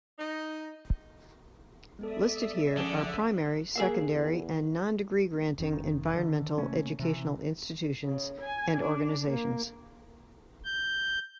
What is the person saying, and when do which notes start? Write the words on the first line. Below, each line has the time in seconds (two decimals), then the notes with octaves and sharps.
Listed here are primary, secondary, and non-degree granting environmental education institutions and organizations.
0.19 D#4
1.99 G#3 B3 A4 D5 E5 D#6
2.77 D3 F3 C#4 G#4
3.76 A#3 G#4 E5 F5
4.12 E2
5.59 F1 D#3 C#4
6.14 D3 D#3
6.58 C3 A3 A#3 C#4
6.99 C3 E3
8.04 C#3
8.39 G#5
8.77 D4
9.26 A#3
10.65 G6